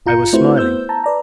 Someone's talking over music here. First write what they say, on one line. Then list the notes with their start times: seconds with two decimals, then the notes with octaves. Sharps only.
I was smiling.
0.06 G1 F4 A#5 G6 C#7
0.33 A3 C4 E4 F#4 B4 C5
0.58 B3 C5 E6 G6
0.89 A5 A#5
1.04 B4 D5 A#5